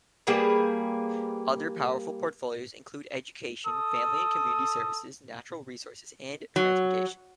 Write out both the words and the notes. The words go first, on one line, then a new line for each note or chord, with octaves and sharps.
Other powerful porfolios include Education, Family and Community Services, Natural Resources and Transportation.
G3 A#3 G#4 B4
A4 D#6
F#3